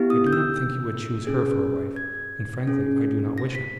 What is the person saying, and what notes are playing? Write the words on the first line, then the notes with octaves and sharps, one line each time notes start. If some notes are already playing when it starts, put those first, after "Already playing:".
I do not think he would choose her for a wife, and frankly I do not wish it.
Already playing: B3 E4 G4
D#6
G6
E6
C#4 G#4
G#6
C#4 G#4
A#6
B6